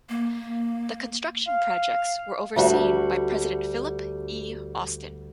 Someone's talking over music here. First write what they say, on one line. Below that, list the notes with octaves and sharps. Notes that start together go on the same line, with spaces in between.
The construction projects were overseen by President Philip E. Austin.
A#3
F5
D2 G3 F#4